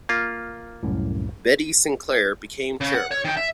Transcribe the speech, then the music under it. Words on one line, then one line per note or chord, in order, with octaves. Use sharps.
Betty Sinclair became chairman.
A#3 F4
C2 F#2 A2
C#3
F#5
C#5
D#3 G5
E5